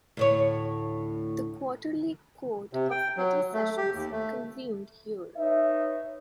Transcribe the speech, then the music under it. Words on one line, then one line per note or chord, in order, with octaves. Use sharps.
The quarterly Court of Petty Sessions convened here.
D2 A2 C#5
C3
G5
F#3
A3
G4
D#2
A3
D#4 B4 C#5 E5